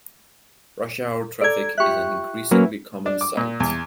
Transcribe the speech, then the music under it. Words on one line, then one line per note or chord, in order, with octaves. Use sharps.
Rush hour traffic is an increasingly common sight.
A4 D5 A#5 G#6
F4 G4 E5 C#6 F#6
F#3 A#3 C#4 E4 B4
D4
D6
A#2
E2